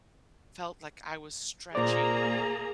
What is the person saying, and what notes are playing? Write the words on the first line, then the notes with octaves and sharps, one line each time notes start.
felt like I was stretching
A#2 A#3 G#4 C5 D5 A#5